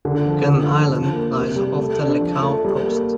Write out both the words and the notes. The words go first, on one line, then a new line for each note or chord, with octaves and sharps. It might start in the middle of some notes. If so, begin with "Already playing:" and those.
Gunn Island lies off the Lecale coast.
D3
F3
D3
F3
F3
A#3
C3
G3
A3
D4
F3
A3
G3
A#3